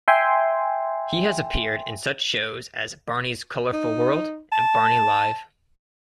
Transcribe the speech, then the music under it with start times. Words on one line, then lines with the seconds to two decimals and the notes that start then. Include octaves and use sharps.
He has appeared in such shows as Barney's Colorful World and Barney Live!
0.08 E5 G5 G#5 C6
3.73 D#4
4.52 A5